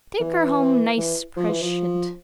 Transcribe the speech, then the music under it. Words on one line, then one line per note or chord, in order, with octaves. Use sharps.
Take her home nice preshent.
E3
E3
F3
E3
F3